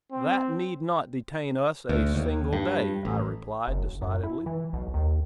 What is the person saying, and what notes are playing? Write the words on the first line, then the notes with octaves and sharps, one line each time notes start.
"That need not detain us a single day," I replied, decidedly.
C4
D2
D#2
G2
A1
F#1
F#2
E4
E3
B1
D#2